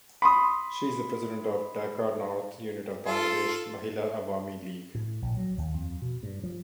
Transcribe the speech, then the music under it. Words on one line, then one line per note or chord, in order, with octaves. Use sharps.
She is the President of Dhaka North unit of Bangladesh Mahila Awami League.
B5 C6 D#6
F4 A4
A2
A#1
F#3
D#2
F2
B2
G2
F3